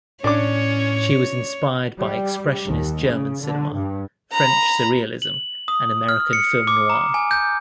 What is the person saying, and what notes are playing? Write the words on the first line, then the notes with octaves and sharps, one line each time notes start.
She was inspired by expressionist German cinema, French surrealism and American film noir.
A2 C#4 D4 C#5 D6
G3
D#2
C#3
D3
G2
A#5 B5
F#7
D#6
F6
C#7
D6
A#5
G#5
G6